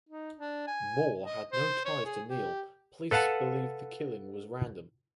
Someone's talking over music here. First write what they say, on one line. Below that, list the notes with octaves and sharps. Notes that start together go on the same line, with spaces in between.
Moore had no ties to Neal and police believe the killing was random.
D#4
D4
G#5
D#5
C5
C#5
G#4
G4
A4 B4 F5 F#5 A5